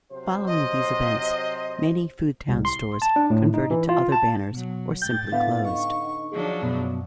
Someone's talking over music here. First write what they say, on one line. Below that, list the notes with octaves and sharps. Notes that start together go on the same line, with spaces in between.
Following these events, many Foodtown stores converted to other banners or simply closed.
C3 F#3 C5
D#5
C2
C6
A5
D4
A2
D#4
E3
F4
A5
B2 F#3
A2 G5 G6 A6
D3 B3 E4 F5 F#5
D#4 C#6
F3 F#3 D4 G#4
F#2 B2